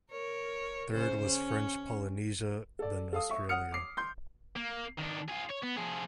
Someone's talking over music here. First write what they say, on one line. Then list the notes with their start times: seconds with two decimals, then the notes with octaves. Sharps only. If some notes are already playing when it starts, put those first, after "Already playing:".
Third was French Polynesia then Australia.
0.11 A#4 C#5
0.91 C#3 C#4 C5
1.26 C#4
2.79 A4 D5
3.13 A4 F5 D#6
3.30 E5 C#6
3.49 F#5 D#6 F6 C#7
3.72 D6 C7
3.97 C6 G6
4.56 A#3
4.98 D#3 D4
5.28 F4 G#4
5.49 C#5
5.62 B3
5.77 F3 G#4